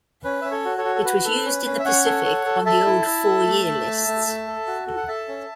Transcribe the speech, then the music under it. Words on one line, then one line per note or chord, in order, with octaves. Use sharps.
It was used in the Pacific on the old four-year lists.
C#4 B4
C#4 E5
A4 C#5
F#4
A4 C#5
F#4
A4
F#4 B4
A4
C#4
C#4
E5
C#4 C#5 F#5
A4
A4
A4
A4 E5 A5
E4
E4
A4
A3
A3
A3
A3
A3
A4
F#4
A4
F#5
A4 E5 A5
C#4